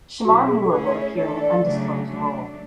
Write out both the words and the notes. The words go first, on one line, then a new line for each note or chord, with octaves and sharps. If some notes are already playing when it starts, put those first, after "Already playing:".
Shemar Moore will appear in an undisclosed role.
B2 F#3 C#4 E4 F#4
G#4
A4
A3 C#4 E4 G#4 B4
C#5
C#5
E3 A3 D4 A4 C#5
D5
C#3 F#3 A3 D4
F#3 A3 D4